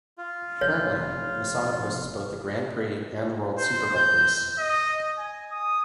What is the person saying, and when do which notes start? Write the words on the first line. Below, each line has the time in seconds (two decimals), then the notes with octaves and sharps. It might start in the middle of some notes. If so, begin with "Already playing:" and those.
Currently, Misano hosts both the Grand Prix and the World Superbike Race.
0.18 F4
0.61 F1 C#5
3.58 C5
3.95 G6
4.58 D#5
5.18 G#5
5.51 D#6